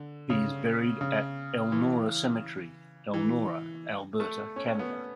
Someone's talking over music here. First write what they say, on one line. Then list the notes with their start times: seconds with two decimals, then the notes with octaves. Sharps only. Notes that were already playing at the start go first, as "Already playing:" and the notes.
He is at buried at Elnora Cemetery, Elnora, Alberta, Canada.
Already playing: D3
0.30 C#3
1.01 C#3
1.72 E3
3.14 E3
4.20 A3
4.56 C#4
4.79 B3